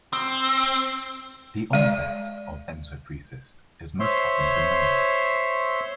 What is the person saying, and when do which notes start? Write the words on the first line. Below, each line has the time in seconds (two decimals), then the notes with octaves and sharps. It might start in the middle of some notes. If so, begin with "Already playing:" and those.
The onset of encopresis is most often benign.
0.13 C4
1.73 G#3 D5
4.00 C5 C#5 E5 C6